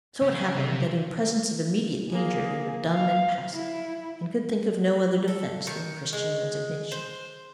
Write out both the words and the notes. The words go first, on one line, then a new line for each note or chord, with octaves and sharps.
So it happened that in presence of immediate danger they were dumb and passive, and could think of no other defence than Christian resignation.
C#3
C3
A#3 G#4
F5
E4
A4
D#3
G#3
C5